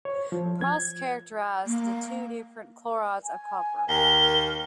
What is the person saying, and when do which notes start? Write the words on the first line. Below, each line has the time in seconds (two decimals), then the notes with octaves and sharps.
Proust characterized the two different chlorides of copper.
0.05 C#5
0.32 F3
0.61 G#6
1.66 A#3
3.24 G#5
3.89 D#2 A#4 G7